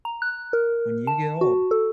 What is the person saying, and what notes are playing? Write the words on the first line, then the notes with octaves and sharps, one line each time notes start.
when you get old,
A#5
F#6
A#4
A5
F#4
A4